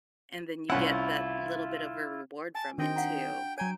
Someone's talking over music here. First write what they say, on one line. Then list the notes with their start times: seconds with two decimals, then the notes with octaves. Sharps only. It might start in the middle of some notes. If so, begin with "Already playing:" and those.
and then you get that little bit of a reward from it, too.
0.70 C2 C#4 E4 F4 F#5
2.55 G#5 A5
2.78 D#3 C4 D4 F#4 D#5 G5
2.96 F5 F#5 A#5
3.58 F#3 C#5 G5 G#5 A#5 D7